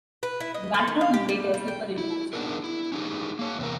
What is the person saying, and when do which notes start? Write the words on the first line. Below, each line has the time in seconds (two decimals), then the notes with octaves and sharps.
The backdrop was later superimposed.
0.23 B4
0.40 E4
0.54 D#5
0.74 A4
0.88 D#3
1.01 F5
1.14 G4
1.29 G3
1.54 G3
1.68 G5
1.98 E4
2.33 B3 D4 D#4 G#4 A#4
2.64 E4
2.92 C#4 D#4 G4 G#4
3.39 A#3 C#5
3.59 E2 C3 F4 A#4